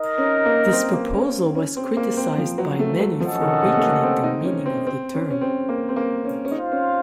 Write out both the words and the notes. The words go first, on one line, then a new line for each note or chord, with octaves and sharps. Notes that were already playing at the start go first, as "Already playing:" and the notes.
This proposal was criticized by many for weakening the meaning of the term.
Already playing: D#4 A#4 D#5
C#4
A#3
C4
A#3
C#4
C#4
C4
A#3
C4
F3
F#3
A3
F#3
F3 C#4 A4 D#5 F#5
D#3
C3
A3
A#3
C4
D#4
C#4
C4
C4
C#4
C#4
C4
A#3
C4
A#3
C#4
C#4
D#4 F4 C5 F5
C#4